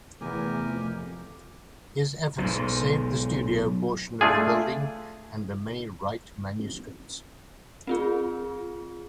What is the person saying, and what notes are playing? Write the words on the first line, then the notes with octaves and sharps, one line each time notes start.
His efforts saved the studio portion of the building and the many Wright manuscripts.
E2 C3 A3 G4 A#4 G#5
F2
B1 G#2
A3 D4 F4 G#4
C4 F4 G#4